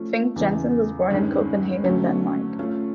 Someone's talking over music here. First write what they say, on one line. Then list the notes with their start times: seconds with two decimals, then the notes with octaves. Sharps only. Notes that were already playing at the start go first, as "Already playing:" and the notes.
Fink-Jensen was born in Copenhagen, Denmark.
Already playing: F3 A3 C#4 F4
0.36 E2 C#3 E3
1.10 G2 D#3 G#3 C#4
1.84 D3 F#3 A3 C#4
2.59 A3 C#4 F4